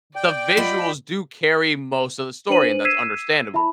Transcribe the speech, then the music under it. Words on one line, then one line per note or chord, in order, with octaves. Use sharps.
the visuals do carry most of the story, and that's understandable.
D5 G5
F4 D#5 F#5 B5
D4 B4 C5 D#7 F#7
E6 G#6 B6 C7 D#7 E7
E4 E5 A5 B5